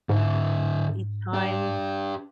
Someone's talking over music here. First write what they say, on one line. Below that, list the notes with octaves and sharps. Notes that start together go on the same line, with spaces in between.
each time,
G#2 D3 E4
D4 G4